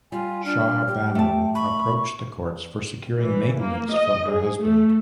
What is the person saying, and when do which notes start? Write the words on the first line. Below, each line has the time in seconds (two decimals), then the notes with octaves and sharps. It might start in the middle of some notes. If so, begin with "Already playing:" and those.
Shah Bano approached the courts for securing maintenance from her husband.
0.12 G3 F4 G#5
0.45 D4 F6
0.87 G4
1.15 A3 G5 A5
1.55 B5 C#6
3.21 E3
3.58 A#3
3.95 D#5
4.30 G#4
4.62 A3